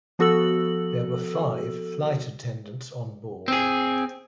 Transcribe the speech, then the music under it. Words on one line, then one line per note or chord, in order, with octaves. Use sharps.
There were five flight attendants on board.
F3 B3 F#4 A4 E6 F#7
C4 G#4